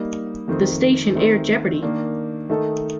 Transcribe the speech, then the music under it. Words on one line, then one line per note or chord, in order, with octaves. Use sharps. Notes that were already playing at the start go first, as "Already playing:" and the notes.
The station aired Jeopardy!
Already playing: G3 A#3 D#4
F2 D#3 A3 C4
D#3 A3 C4
D#3 A#3 D4
D#3 A3 D#4 A4